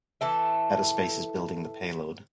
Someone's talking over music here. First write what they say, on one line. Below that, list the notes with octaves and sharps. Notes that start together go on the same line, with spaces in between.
Eta Space is building the payload.
E3 A4 E5